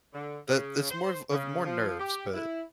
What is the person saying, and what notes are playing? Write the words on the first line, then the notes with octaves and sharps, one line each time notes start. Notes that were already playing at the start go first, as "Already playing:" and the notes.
that that's more of of more nerves, but
D3
C#3
C5
C#3
F3
G4
E4